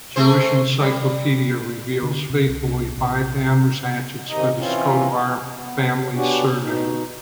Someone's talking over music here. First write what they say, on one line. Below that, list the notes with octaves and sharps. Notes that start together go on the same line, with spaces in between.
Jewish Encyclopedia reveals faithfully five hammers hatchets for this Coat of Arm family's surname.
A3 G#4 C5
G3
D3
C3
C2
A#1
C3
G#2 C3 D#3 D#4 D#5
E3 C4 C#4 F4
B3
C#3
B3 C#4 D4 F#4 G4
B2 D#4